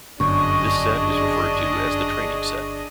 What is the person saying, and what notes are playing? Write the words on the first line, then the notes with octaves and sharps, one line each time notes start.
This set is referred to as the training set.
G1 F#2 D4 G#4 D#5 C#6